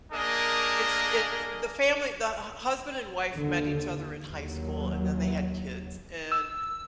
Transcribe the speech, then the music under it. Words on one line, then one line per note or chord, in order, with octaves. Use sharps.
it's it's the family the hu husband and wife met each other in high school and then they had kids, and,
A#3 D4 G#4 A#4 D#5
D#2 D3
D#2 F#3
E6